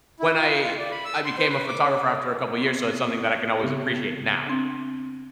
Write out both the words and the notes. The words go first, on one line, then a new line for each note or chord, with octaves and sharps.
When I I became a photographer after a couple years, so it's something that I can always appreciate now.
E4
F4
F4
D5
B5
E6
C6
C5
B4
D6
C#4
B3 C4
C#3 B3 C4 G4
C4 D4